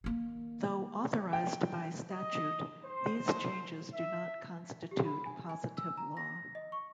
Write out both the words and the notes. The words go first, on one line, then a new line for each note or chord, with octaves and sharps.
Though authorized by statute, these changes do not constitute positive law.
D#3 A#3
G5
D#5
C5
E5
G4
B5
G#5
G#5
E6
A#5
A#6
D#5
C#6